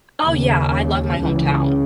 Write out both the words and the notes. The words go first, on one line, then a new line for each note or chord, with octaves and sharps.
Oh, yeah, I love my hometown,
D#2 C#3
C#2 C#3 E3